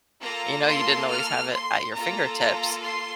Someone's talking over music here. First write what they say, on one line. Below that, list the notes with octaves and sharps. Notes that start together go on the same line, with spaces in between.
you know, you didn't always have it at your fingertips.
A#3 F4 A4 A#5
C6
F6
C6
A#3 F4 A4 A#5
A#5
C6